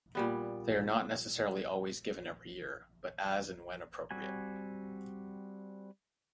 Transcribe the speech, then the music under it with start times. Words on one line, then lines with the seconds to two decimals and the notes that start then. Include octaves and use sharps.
They are not necessarily always given every year, but as and when appropriate.
0.15 A#2 G3 B3
4.11 G3 C4 F#4 G#5